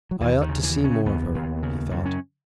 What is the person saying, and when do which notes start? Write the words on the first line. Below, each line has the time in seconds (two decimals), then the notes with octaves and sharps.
"I ought to see more of her," he thought.
0.11 F#3
0.20 D#2 E3
0.41 D#3
0.49 C#3
0.63 E3
0.77 C#3
0.84 C#4
1.06 D#2 B3
1.35 D#2
1.63 C#3
1.91 F#2
2.06 C#4